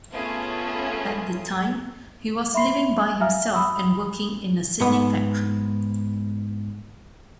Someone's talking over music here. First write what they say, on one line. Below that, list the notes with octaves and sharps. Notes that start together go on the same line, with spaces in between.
At the time, he was living by himself and working in a Sydney factory.
A3 B3 C#4 F4 G#4 A4
E5 B5 C6 C7
E5 F5 G#5 A#5 F6
B5 D#6 E6
G#2 B3